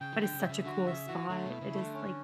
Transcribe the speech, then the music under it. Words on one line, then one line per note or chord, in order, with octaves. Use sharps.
but it's such a cool spot. It is, like,
C#3 G5
E3
D3
G5
C#3
C#3 E5
E3
D3 F#4
C#3 E5
E3 F#4
D3 A3
B2
E4
C#3
A3
D3
C#4